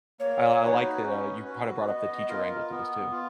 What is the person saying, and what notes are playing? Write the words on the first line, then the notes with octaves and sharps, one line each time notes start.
I I like that, uh, you b kinda brought up the teacher angle to this, too.
A#3 C#5
D#4 F#4 B4
C#4
F#4 B4
B3 D#5
F4 A#4
B3
F4